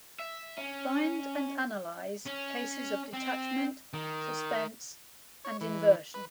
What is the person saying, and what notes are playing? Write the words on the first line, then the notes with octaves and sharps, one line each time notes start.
Find and analyze cases of detachment, suspense and inversion.
E5
C#4
C#4
C4
D#3
C#5
E3
B4